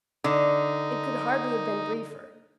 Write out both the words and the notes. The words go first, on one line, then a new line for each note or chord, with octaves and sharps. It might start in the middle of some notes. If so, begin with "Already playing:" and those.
It could hardly have been briefer.
D3 D#4